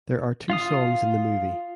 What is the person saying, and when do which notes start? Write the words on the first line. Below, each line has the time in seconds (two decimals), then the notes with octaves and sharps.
There are two songs in the movie.
0.50 F4 F5 D#6